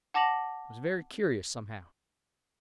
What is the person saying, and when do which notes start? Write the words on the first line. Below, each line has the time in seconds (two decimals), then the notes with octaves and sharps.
It was very curious, somehow.
0.14 F#5 A5 D6 A#6 F7 F#7